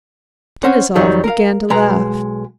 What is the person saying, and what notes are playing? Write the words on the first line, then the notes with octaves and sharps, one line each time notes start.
Denisov began to laugh.
C#4 C5 F#5
F2 D#3 F#3 G3
A#4 F5
B1 G#3 B4 A#5